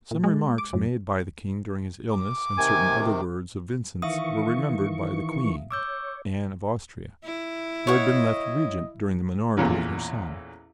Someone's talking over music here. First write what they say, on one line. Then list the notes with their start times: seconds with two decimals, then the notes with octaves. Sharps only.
Some remarks made by the King during his illness and certain other words of Vincent's were remembered by the Queen, Anne of Austria, who had been left Regent during the minority of her son.
0.11 A#2
0.24 G#3
0.58 D6
0.73 F#2
2.15 D6
2.58 C3 D#3 G#5
4.02 D#3 E3 E5 F5 C#6 D#6
5.71 C#5 D6 E6 G6
7.24 E4
7.87 C#5 D#5 F#5
9.57 A1 E2 A#2